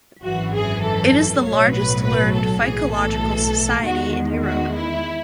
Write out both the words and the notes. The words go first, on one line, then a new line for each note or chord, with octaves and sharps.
It is the largest learned phycological society in Europe.
G#1 F#2 E3 F#4
G#4
A4
B1 A2 F#3 C#5
B4
B4
A4
B1 A2 E3 G#4
A4
E2 D#3 G#3 F#4
F#4
E4